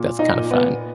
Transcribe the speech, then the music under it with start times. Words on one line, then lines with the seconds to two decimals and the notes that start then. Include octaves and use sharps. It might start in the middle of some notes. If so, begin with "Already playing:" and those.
that's kind of fun
Already playing: A#2
0.19 D#4
0.35 A#2
0.51 B3